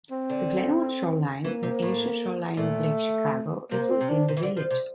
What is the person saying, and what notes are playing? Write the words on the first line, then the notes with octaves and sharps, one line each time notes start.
The Glenwood Shoreline, an ancient shoreline of Lake Chicago, is within the village.
C4
D3
E3 A#3
C3
A2
A#2 A3
C3 A#3
C4
C3
D4
C3
E3
D3
F3
C3